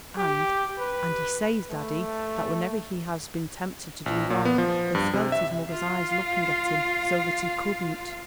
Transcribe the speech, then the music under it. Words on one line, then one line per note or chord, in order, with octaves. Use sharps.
And--and he says, daddy, that whenever he has been tempted to do wrong he has felt his mother's eyes looking at him, so that he couldn't.
G4
B4
A3
A#1
A#2
B3
F3
G2
C3
E5
F4 F5